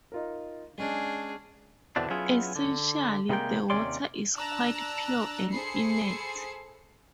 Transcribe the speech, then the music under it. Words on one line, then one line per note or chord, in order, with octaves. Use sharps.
Essentially, the water is quite pure and inert.
D#4 F4 A#4
G#3 C#4 D4 G#4
E2 B2 D3 E3 C4 D4
F#3 B3 C#4 E4 F4 G#4
D3
C3 D#3 G3 G#3 A#3 G5
D#2 C3 C#4 D5 C6
D4 A5 A#5 E6 F#6
G#4 A4 C5 B5 C7 C#7